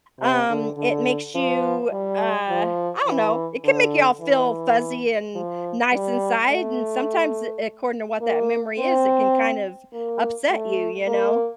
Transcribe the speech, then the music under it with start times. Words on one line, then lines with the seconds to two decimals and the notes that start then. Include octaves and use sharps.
um, it makes you, uh I don't know. It can make you all feel fuzzy and nice inside. And sometimes, eh, according to what that memory is, it can kind of upset you. You know?
0.20 C3
0.49 D3
0.78 D3
1.35 F3
1.92 G3
2.49 F3
3.07 E3
3.64 D3
4.21 E3
5.35 F3
5.93 G3
6.49 A3
8.21 A#3
8.78 C4
9.93 A#3
10.51 A3
11.07 A#3